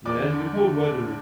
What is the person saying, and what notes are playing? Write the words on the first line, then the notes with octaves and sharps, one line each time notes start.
Yeah, and the cold weather
E2 D5 D6
D3
A3
D4
D4